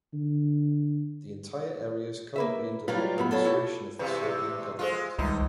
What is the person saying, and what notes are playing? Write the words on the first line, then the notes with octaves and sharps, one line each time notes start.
The entire area is currently under the administration of the Serbian government.
D3
A#3 B4 E5
A2 F#3 G3 F4 B4 F5
F#2 B3 B5
F4 A4 C#5
A3 E4 G4
E2 C3 B4 F5
G#3 F4 G#4 A4 C5
C#2 D#3 G3 D#4